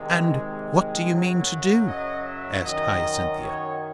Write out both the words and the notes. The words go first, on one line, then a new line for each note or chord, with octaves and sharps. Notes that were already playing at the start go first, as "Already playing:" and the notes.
'And what do you mean to do?' asked Hyacinthia.
Already playing: C3 D#3 G#3
F#2 C#3 F#3
D#5
E5
F#2 D#3 F#3 D#5
C#5